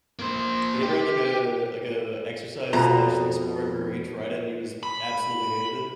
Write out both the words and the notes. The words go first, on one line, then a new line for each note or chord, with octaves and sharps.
Have you ever had like uh like, uh, exercise slash like sport where you tried it, and you just absolutely hated it?
A#3 C5
G4
F2 B2 A#5
B5